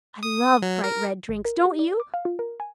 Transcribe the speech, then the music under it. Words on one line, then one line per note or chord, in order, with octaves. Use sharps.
I love bright red drinks, don't you?
D#6
F#3
A#4
G#1
A#4
G4
D5
D6
F5
F4
A#4
G#5